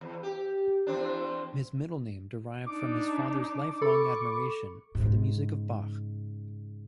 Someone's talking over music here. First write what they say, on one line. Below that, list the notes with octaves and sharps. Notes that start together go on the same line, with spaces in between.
His middle name derived from his father's lifelong admiration for the music of Bach.
E2
G4
E2 C4 D4
D4 D#4 D6
A4 B5 C#6
G#2 C#3